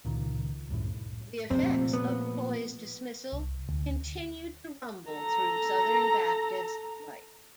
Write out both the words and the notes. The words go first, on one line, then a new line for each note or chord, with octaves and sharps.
The effects of Toy's dismissal continued to rumble through Southern Baptist life.
C#2 A#2 D#3
C2 F#2 A2
F2 C3 C4
A#2 F3 A3
B3
C2
D2
A4 A#5